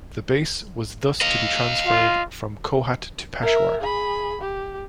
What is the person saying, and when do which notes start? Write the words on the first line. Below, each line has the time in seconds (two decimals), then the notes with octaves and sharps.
The base was thus to be transferred from Kohat to Peshawar.
1.22 D#5 F5
1.85 F4
3.42 A#4 E5
3.81 G#4 B5
4.41 G4